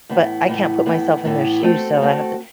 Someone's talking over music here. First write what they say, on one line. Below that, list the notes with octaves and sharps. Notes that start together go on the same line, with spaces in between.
But I can't put myself in their shoes, so I have to
A2 E3 B3
A2 E3 B3
A2 E3 B3
A2 E3 B3
A3 C4 F#4 A4
A3 C4 F#4 A4